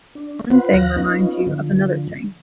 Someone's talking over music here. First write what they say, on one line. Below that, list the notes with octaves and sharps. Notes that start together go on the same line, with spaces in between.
One thing reminds you of another thing.
D4
F4 B4 C5 F#5
D#2 F5 F#6 A#6
B3 C#4 D#4 F4
D3 F3